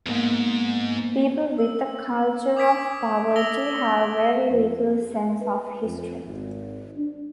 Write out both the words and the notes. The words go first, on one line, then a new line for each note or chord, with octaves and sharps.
People with a culture of poverty have very little sense of history.
E2 G#2 A#3 B3
E6
D6 D#6 G#6 B6 D7
E6 A#6 D7 F7 G7
F2
G#4
B4
F2
G#1
D4